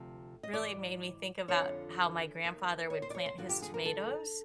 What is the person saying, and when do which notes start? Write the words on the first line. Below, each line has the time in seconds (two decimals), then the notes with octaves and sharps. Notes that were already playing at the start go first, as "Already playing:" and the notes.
really made me think about how my grandfather would plant his tomatoes,
Already playing: D2 C3 F3
0.43 D#5
0.53 G#2 E3 D5
1.48 F2 D3 F3 C#5
2.44 D#2 D#3
2.90 C#5
3.02 C5
3.10 D5
3.15 C#5
3.26 C5
3.38 G2 D3 F3 F#4
3.49 G4
3.62 G#4
3.74 A#4
3.85 A4